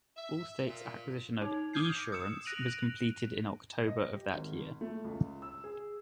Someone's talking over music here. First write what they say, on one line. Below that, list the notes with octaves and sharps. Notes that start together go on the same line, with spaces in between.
Allstate's acquisition of Esurance was completed in October of that year.
E5
A#2
D#4
D6 D#6 F6 G6 G#6 C7
D#6 E6 C#7 E7
F#6 A#6 D7 D#7 F7 F#7
D#5
G4
G#1
A3
C#2
E6
G#4